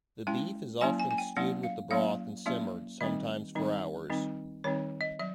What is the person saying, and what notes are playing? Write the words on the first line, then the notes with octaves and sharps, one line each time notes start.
The beef is often stewed with the broth and simmered, sometimes for hours.
G#3 C#4 E4 G5
F#3 A#3 C#4 E4 G#5
G#5
G#5
G5
F#3 A#3 C#4 E4 F#5
F5
F#3 A#3 C#4 E4 F5
F#3 A#3 C#4 E4 E5
D#3 G3 C4 D#4 E5
D#3 G3 C4 D#4
D#3 G3 C4 D#4
D#3 G3 C4 D#4 C#5
D#5
F#3 E5